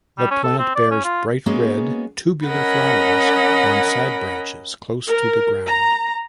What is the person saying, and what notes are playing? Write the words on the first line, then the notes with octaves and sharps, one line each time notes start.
The plant bears bright red, tubular flowers on side branches close to the ground.
G3
C#4
A4
C4
D5
C#4
F4
G#3 A#3 B3 C#4 F#4 G#4
C#4 A#4 D#5 F#5 B5
A#4
A#5